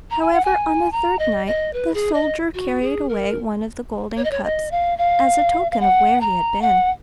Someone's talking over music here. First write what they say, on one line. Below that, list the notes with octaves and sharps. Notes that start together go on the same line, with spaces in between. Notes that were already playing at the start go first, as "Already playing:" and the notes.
However, on the third night the soldier carried away one of the golden cups as a token of where he had been.
A#5
G#5
F#5
G#5
A#5
D#5
D#5
B4
G#4
D#5
F#4
G#4
A#4
C#5
D#5
C#5
D#5
F5
F5
F5
F#5
A#5
F#5